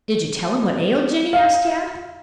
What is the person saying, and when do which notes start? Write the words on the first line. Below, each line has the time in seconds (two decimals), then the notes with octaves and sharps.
"Did you tell him what ailed Jinny?" asked Tad.
1.33 F5